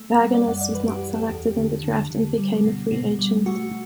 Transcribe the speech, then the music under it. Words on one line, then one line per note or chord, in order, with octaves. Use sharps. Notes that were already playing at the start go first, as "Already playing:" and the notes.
Vagenas was not selected in the draft and became a free agent.
Already playing: A3
G3 F#5
D5
F#2 F#5
D5
E3 B4
G4
E3
A4
E2 G4
D3
D3
D3
G3
B2
B2
G3
A3 F#4